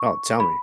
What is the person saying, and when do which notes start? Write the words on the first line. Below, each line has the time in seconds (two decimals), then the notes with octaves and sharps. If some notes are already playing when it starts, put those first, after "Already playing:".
Oh, tell me.
Already playing: C#6
0.40 B5